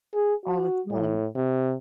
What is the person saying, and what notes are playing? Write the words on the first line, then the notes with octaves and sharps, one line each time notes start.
All the time.
G#4
F#4
A2
C3